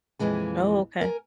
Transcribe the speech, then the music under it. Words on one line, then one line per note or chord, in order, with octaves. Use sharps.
Oh, okay.
F2 A#2 E3 G#3 G#5
A#4 G#5